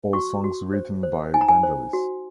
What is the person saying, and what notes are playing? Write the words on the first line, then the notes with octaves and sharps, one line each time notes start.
All songs written by Vangelis.
F#4 C#6
F#4
C5
C5
D#4 G#5
A#5
G#5
C5
F#4